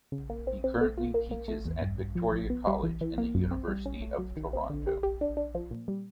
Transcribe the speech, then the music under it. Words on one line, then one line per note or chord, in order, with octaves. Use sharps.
He currently teaches at Victoria College in the University of Toronto.
C#3
A#3
C4
C4
A3
F4
A#3
A#3
A3
E2
G2
G2
F3
F3
B3
G3
E3
E3
A#3
F#2
C4
G3
C#4
A3
F#3
D#3
C4
D3
G4
G4
D4
D4
F3
A#2
G3